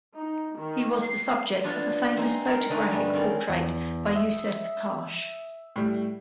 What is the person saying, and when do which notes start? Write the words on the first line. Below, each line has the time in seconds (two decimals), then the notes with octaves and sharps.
He was the subject of a famous photographic portrait by Yousuf Karsh.
0.16 D#4
0.57 D#3
1.03 C7
1.64 B3 D4 F4 F#4 C#5
2.16 C4 D#4 G#4 C5 E5 F#5
2.45 A#4 C5
2.69 D3 G#3 A3 D#4 B4
2.91 G2 D3 G3 A3 B3 D4
3.14 D#3 G#3 C4 C#4 D5
3.49 E2
4.11 E5 D#6
5.76 A2 G3